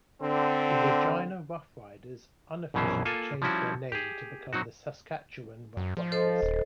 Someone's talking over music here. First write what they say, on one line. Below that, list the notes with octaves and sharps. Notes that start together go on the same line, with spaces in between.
The Regina Roughriders unofficially changed their name to become the Saskatchewan Roughriders.
D3 C4
A#1 F#2 B2 E3 C#4 C5
A#3 F4 A4 G#5
F3 G3 C#4 E4 F#4
G4 G#4
F#3 C4 D#4 F#4
F#2
F3
A4 C5 D#5
D#1